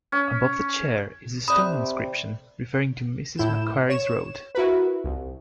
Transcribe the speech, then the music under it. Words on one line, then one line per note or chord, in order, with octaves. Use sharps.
Above the chair is a stone inscription referring to Mrs Macquarie's Road.
C#4
C3 D5 B5 D#6 F#6
A2 E4 G6 E7
C#5 E7
E4 F#4 A#4 B4
C2